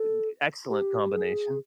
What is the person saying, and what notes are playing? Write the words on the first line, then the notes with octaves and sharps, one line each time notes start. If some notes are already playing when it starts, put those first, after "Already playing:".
Uh, d excellent combination.
Already playing: A4
G4
G#4